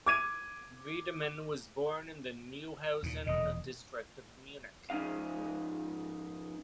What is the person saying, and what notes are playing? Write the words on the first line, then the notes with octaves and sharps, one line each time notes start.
Wiedemann was born in the Neuhausen district of Munich.
D6 G#6 D#7
D#2 A#2
E1 A#2 D#5
G#2 F3 C#4 D#4 F5